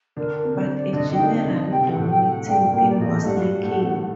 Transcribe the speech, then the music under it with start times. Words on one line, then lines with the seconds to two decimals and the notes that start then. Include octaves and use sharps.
But a general dominating theme was lacking.
0.17 D3 D4 A#4
0.36 A#4
0.45 C4
0.55 D3 D4 C5
0.75 D5
0.93 D3 D4 D#5
1.09 D4 G5
1.19 D#3 D#4
1.32 C4 D#5
1.45 D3 D4
1.51 D#5
1.71 C3 C4 G5
1.86 G5
1.90 F#5
1.96 A2 A3
2.09 G5
2.22 G5
2.29 F#5
2.47 G2 G3 G5
2.73 A#2 A#3 G5
2.89 D5
2.98 A2 A3 D#5
3.20 A3
3.24 G2 G3 F#5
3.63 A2 A3